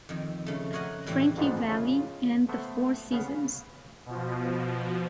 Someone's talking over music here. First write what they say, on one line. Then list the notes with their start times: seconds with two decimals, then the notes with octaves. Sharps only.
Frankie Valli and the Four Seasons.
0.09 F2 D#3
0.46 C#3 A3
0.73 A#4 C#5 D#5 F#5 A#5
1.06 A2 E3 G3 C4
1.37 F2 G#2 F3 B3 D4
1.69 C#3 F4
2.49 A3 B3 C5
3.12 C#3 B3 F5
4.06 B2 F3